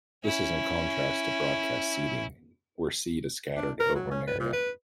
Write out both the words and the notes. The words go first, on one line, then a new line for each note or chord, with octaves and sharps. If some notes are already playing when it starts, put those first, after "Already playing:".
This is in contrast to broadcast seeding, where seed is scattered over an area.
C#4 E4
D4
A#4
F#3
C#4
B4
A#2
B4